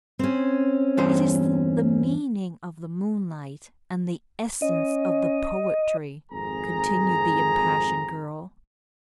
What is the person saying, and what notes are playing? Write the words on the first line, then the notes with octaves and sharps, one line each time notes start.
"It is the meaning of the moonlight, and the essence of the poetry," continued the impassioned girl.
C4 C#4
E2 G2 C5
C#4 D#5
G#1 F2 G#4 A#5